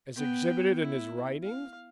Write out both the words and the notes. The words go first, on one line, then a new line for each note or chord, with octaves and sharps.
"As exhibited in his writings?"
B3 G5
E4
F5